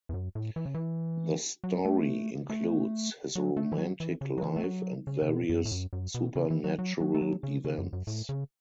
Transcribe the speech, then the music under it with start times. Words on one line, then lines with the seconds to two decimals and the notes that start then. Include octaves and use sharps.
The story includes his romantic life and various supernatural events.
0.09 E2
0.14 F#2
0.35 A2
0.56 E3
0.66 C#3
0.74 E3
1.64 F#3
1.85 A3
2.50 A3
3.36 F#3
3.57 A3
3.72 E3
3.78 F#3
4.00 E3
4.21 C#3
4.38 F#3
4.43 E3
4.56 A3
4.64 F#3
5.07 C#3
5.22 C#3
5.29 B2
5.49 F#2
5.65 A2
5.72 F#2
5.93 F#2
6.15 B2
6.36 C#3
6.50 E3
6.64 F#3
6.79 F#3
7.01 F#3
7.15 A3
7.22 F#3
7.43 C#3
7.65 C#3
7.78 F#2
7.93 F#2
8.07 A2
8.29 C#3